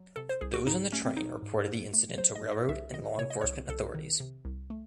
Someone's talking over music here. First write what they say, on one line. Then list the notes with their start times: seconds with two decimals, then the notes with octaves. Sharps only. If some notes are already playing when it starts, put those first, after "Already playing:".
Those on the train reported the incident to railroad and law enforcement authorities.
Already playing: F#3
0.16 C3 A4
0.29 C5
0.41 C2 G#4
0.54 F#4
0.67 G#2 D#4
0.92 A3 C#4
1.05 C4
1.17 F#3 D#4
1.42 G#2
1.68 G#2
1.93 A3
2.18 F#3 C5
2.35 D#5
2.43 G#2
2.52 D#5
2.69 C2 E5
2.94 D#3 D#5
3.18 C3 C#5
3.30 D#5
3.41 C2 C#5
3.69 C2 A4
3.94 D#3
4.20 C3
4.45 C2
4.70 A3